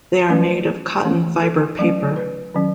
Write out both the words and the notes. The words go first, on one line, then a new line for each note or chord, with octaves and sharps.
They are made of cotton fibre paper.
F#3 A3 C#4 B4
E3 A3 C#4
A4
F#3 A3 C#4
B4
D#3 F#3 C#4